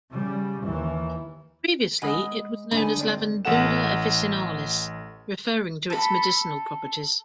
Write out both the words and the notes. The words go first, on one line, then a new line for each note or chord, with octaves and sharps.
Previously, it was known as "Lavandula officinalis", referring to its medicinal properties.
C#3 G3
D#2 E3
G#3 F#5 B5 D#6
D3 D#4 A4 G#5 B5
G2 C4 D5
A1 A4 F#5 E7
A4 B5